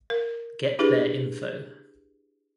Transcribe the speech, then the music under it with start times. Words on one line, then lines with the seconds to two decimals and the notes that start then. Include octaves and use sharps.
Get their info.
0.10 A#4
0.79 D4 E4 G4 G#4 B4